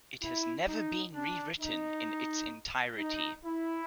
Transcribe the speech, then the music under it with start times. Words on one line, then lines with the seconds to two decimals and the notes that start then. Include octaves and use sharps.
It has never been rewritten in its entirety.
0.22 E4
0.67 D#4
1.13 D4
1.60 D#4
2.98 D#4
3.44 E4